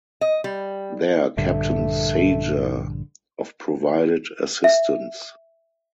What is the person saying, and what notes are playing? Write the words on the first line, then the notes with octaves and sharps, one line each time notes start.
There Captain Sager of provided assistance.
D#5
G3
A#1 G2 D3 A3
E5